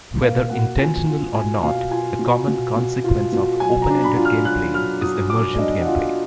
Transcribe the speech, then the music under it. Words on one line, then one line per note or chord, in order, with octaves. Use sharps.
Whether intentional or not, a common consequence of open-ended gameplay is emergent gameplay.
A#3 F5
B2 F#5
F4 G#5
F4
B2 G#5
B2 F5
F4 G#5
B2
B2
B2
F4
B2
F#3 G#5
A#5
D4
B5
F4
F6
F#3 F#6
F#3 F6
F#3 D#6
F#3 D6
D5
D4 D#5
F#5
F4 F5